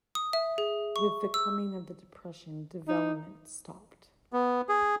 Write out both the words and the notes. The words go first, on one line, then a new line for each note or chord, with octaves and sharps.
With the coming of the Depression, development stopped.
D#6
E5
G#4
C#6
E6
D#4
B3
G#4